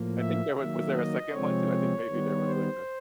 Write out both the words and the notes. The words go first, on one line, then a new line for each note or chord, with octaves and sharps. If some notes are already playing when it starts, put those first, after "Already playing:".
I think there was was there a second one too? I think maybe there was, like, a
Already playing: A2 F3 A#3
E5
D#3 F#3 A#3 E5
D#5
C3 F3 G#3 C4 C#5
D#3 G3 B3
C5